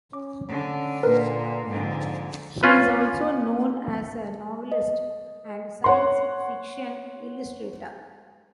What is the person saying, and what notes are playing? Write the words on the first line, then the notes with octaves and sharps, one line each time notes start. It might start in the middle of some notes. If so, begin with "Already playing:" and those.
He is also known as a novelist and science fiction illustrator.
C#4 D6
D3 C#4
A#2 D3 A#4 B4
F2 G#2 D3
C#4 F4 B4
D#5
C#5 F#5 C6